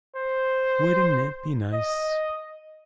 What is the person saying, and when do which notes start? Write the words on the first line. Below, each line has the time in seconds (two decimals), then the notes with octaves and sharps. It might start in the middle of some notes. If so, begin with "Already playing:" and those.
Wouldn't it be nice?
0.16 C5
1.73 D#5